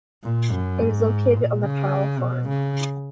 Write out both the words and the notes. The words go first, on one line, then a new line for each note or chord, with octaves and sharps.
It is located on the Powell Farm.
A#2
F#2
G#2
A#2
C#3
B2
C#3